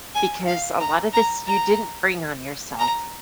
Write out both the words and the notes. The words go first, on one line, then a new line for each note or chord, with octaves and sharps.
because a lot of this you didn't bring on yourself.
G#5
F5
A#5
A#5
A#5
A#5